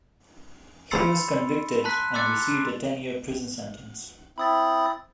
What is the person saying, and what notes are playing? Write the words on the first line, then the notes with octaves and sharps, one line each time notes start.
He was convicted, and received a ten-year prison sentence.
B5 C6 E6 A6 C7 C#7
A5 A#5 C6 F#6 B6
C6 D6 E6 F#6 A6 C#7
C4 E4 B5 D#6 A6